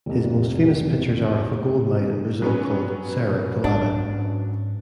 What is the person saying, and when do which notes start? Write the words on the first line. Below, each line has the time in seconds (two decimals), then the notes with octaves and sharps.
His most famous pictures are of a gold mine in Brazil called Serra Pelada.
0.06 F1 C2
2.42 F#3 B3 C#4
3.64 G#2 D4